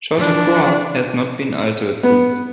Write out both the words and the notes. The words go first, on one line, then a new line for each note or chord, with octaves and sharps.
Chautauqua has not been altered since.
E3 F3 D4
B3